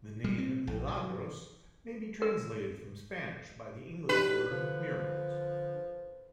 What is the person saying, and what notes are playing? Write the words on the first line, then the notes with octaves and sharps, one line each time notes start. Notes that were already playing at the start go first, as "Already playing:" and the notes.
The name "Milagros" may be translated from Spanish by the English word, "miracles".
G3
C4
A#1
F#3
A#4
F#3 D4 D#4 G4 B4
D3 F3